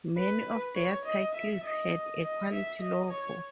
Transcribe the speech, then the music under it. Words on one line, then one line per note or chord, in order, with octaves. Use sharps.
Many of their titles had a Quality logo.
B4
C#5
D#5
E5
D#5
D#5
E5
D#5
C#5